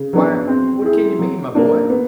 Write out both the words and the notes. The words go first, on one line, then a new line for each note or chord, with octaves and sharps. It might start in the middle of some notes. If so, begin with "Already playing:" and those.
"Why, what can you mean, my boy?"
Already playing: C#3
F#3 B3 D4
C4
E4 G#4
F#3
A#3 D4
B3